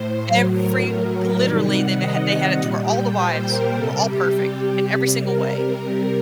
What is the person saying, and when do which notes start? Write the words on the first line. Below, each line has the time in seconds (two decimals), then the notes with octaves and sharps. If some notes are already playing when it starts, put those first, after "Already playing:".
every literally, they n had they had it to where all the wives were all perfect in every single way,
Already playing: A2 C5
0.23 A2 F#3 C5
0.53 A#4
1.41 C3 D#3 G3 D5
1.70 F#5
1.99 D#5
2.29 F#5
2.58 A#2 G3 F#5
2.87 G5
3.17 C5
3.46 A#4
3.75 C3 G3 A4
4.05 G4
4.63 G4
4.93 C3 G3
5.22 A#4
5.52 A#4